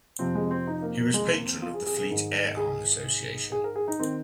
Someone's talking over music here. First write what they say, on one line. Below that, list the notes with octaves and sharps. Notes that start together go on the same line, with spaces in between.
He was Patron of the Fleet Air Arm Association.
F2 C3 F3 C4
G#3
C4
D#4
A#3
A#3
G#3
A#3
C4
F4
G#4
G#4
G#4
G#2 D#3 G#4
G#4
G#4
A#4
G#4
D#4
D#3 C4